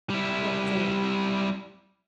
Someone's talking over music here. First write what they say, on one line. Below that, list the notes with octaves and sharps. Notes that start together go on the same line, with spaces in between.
What for?
G3 E4